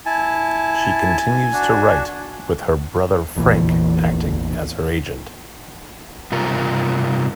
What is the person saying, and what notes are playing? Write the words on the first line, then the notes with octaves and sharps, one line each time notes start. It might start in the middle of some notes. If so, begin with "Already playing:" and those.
She continues to write, with her brother Frank acting as her agent.
E4 G#5 A5
D4 F#4
A1 E2 A#2 E3
G2 C3 F4 A#4